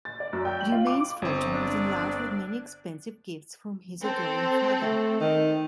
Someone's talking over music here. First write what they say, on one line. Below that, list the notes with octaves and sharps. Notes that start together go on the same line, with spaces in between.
Du Maine's fortune was enlarged with many expensive gifts from his adoring father.
A6
D5
F#2
G5
F#7
F4
D6
G1 C4
D4
C4 A4
A3
D#3